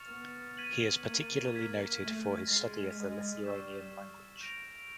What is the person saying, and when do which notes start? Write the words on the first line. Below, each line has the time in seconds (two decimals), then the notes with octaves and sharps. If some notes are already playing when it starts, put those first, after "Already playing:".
He is particularly noted for his study of the Lithuanian language.
Already playing: C#6 F6 A6 C#7 F7
0.10 B3
0.57 G#6 B6 D#7 F#7
1.06 A#3
1.54 F6 G#6 B6
2.02 A3
2.50 G#3 F6 A6 C7
2.97 G#3
3.45 G3 C#6 E6 G6 B6 E7
4.41 G6 A#6 D7 F7